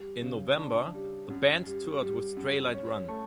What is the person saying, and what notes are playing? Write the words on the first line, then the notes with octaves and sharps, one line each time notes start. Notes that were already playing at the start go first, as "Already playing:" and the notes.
In November, the band toured with Straylight Run.
Already playing: G3
C#3
D4
G3
F#2
G3
G3
F#2
C#4
A3